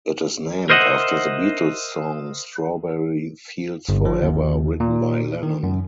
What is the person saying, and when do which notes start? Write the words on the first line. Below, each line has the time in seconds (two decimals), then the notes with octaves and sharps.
It is named after the Beatles' song "Strawberry Fields Forever" written by Lennon.
0.70 A#4 C5 D#5 E5 F#5
3.89 G1
4.05 F3
4.22 D#2
4.80 A#2
5.43 D#3
5.63 F#2